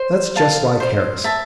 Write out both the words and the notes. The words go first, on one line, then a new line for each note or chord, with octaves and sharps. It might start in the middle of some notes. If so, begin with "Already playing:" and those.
That's just like Harris.
Already playing: C5
F5 A5
C5
E5 A5